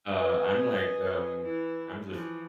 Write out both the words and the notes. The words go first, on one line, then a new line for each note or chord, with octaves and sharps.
Uh, I'm like, um, I'm just,
B4 D#5 G#5
E3 E4
E3 F3